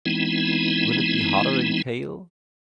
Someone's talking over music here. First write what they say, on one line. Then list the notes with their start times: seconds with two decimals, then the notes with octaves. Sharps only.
Will it be hotter in Cale?
0.06 E3 G#3 B3 C4 D#4 E4